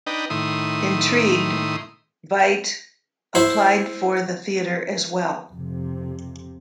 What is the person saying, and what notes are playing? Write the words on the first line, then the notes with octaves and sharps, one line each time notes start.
Intrigued, Veidt applied for the theatre as well.
D4 D#4 B4 D#5 G5
A2 D#3 E4 C6 D#6
E4 C5
F2 C3